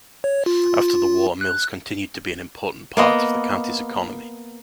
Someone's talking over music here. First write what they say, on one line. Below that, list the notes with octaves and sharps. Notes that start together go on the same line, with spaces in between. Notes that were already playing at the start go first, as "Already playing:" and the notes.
After the war mills continued to be an important part of the county's economy.
C#5
F4
F#6
A#3 B3 D#5